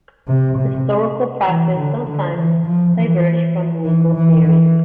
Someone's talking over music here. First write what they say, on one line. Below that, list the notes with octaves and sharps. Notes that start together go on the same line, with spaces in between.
Historical practice sometimes diverged from legal theory.
C3
C3
E3
D3
D3
E3
F3
E3
E3
E3
E3